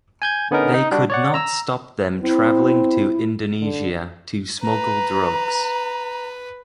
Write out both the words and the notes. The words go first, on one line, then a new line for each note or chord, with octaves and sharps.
They could not stop them traveling to Indonesia to smuggle drugs.
G#5 G6 G#6
D3 B3 C#4 D#4 A#4
D#4
G3 D4 F#4
C#5 D5 F#5
A#5 E6
C4 E4
D3
B4 A#5